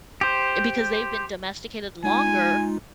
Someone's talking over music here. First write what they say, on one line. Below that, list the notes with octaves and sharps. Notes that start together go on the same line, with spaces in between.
because they've been domesticated longer,
G4 C5
G#3 D#4 F4 G#5